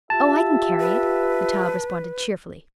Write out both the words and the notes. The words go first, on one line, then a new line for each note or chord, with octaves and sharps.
"Oh, I can carry it," the child responded cheerfully.
F4 G4 E5 A5
B4